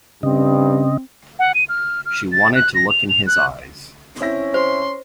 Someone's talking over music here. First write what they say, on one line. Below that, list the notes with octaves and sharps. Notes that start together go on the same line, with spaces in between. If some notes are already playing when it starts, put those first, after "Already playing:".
She wanted to look in his eyes.
G2 C#3 C4 D#5
F#5
D#7
F6
F6
A6
F#6
A#6
F7
F7
F#6
C4 C#4 E4 A#6
C5 C6